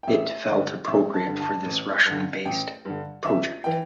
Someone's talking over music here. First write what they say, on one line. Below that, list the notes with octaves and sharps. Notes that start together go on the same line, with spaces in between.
It felt appropriate for this Russian-based project.
G5
A1 E5
G2 D3
A1 E5
A5
G2 D3
A5
A1
G2 D3
A1 G5
G2 D3
G1 E5
E3 G5